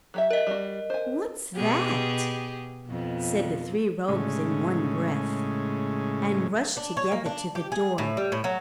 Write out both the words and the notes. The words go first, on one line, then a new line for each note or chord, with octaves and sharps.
"What's that?" said the three rogues in one breath, and rushed together to the door.
F#3 G4 E5
A#4 D#5
G3 F#4
C5 G#5
B2 G4 G#4
F2 B2
A2 C#3 G#3
D4
C#5
A#3
D4
G4
G#4
A2
G3
A2
F#3